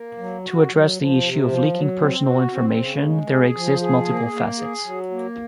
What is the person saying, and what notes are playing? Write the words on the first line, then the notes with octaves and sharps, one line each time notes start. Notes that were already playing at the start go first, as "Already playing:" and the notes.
To address the issue of leaking personal information there exist multiple facets.
Already playing: A#3
F#3
F#4
F#3
F3
C3
F3
F#3
C4
F#4
C4
C#3
G#3
G#4
F3
G#4
A#3
A#3
G#4
F#3
A#3